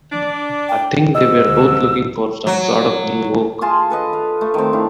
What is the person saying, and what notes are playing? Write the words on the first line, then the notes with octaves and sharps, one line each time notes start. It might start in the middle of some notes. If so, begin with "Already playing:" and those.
I think they're both looking for some sort of new work.
D4
G5
G#2 D#5 E6
D2
F#3
F4 G#4 A5 C6
A4 B4 D#5
F5
A3
D#3 C4
D4 E4 F5